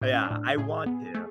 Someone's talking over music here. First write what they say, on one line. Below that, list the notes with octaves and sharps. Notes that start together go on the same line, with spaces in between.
Yeah, I want to.
A2 D4
C#4
D4
A2
A2 G#4
B3
A3